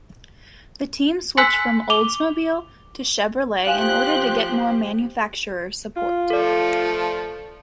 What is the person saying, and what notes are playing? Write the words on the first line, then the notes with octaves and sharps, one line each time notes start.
The team switched from Oldsmobile to Chevrolet in order to get more manufacturer support.
G#5 C6 E6 F#6 B6
D6 F7 G7
F3 G4 C5 F5 G#5 F#6
F4
F3 A3 A4 D5